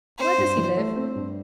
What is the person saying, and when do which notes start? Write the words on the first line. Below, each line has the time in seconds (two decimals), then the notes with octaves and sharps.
Where does he live?'
0.18 C4 C5
0.38 G2
0.57 E3
0.77 A3
0.96 C4
1.15 G2